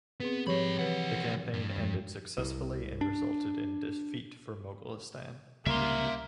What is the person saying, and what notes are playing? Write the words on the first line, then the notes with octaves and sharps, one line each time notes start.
The campaign ended successfully and resulted in defeat for Moghulistan.
B3 C4 G#4 B4
G#2 F3 G3 G4 C#5 B5 C#6
C2 E3 B4 F#5
G2
F2 F3 G#3
C2
D4
C#2 C3 G3 A#3 E5 C6